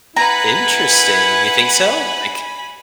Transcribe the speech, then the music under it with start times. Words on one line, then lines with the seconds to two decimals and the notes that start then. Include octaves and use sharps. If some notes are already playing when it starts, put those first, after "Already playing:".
Interesting, you think so? Like,
0.16 E4 B4 F#5 G#5 A#5 B5